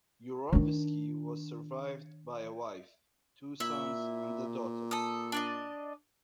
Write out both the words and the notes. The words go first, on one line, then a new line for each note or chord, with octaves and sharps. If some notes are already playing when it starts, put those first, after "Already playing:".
Yurovsky was survived by a wife, two sons, and a daughter.
D#3 D4
A#2 E4 E5
A4 D#6
D4 D5 D#5